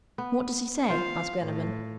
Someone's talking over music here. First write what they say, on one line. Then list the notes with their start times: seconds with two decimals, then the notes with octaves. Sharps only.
"What does he say?" asked Glenarvan.
0.18 B3
0.89 F4 C5 F5
1.44 A2